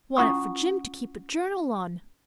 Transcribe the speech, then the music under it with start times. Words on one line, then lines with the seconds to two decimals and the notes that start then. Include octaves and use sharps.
"Want it for Jim to keep a journal on."
0.17 C#4 E4 F4 F#5 C#6 D#6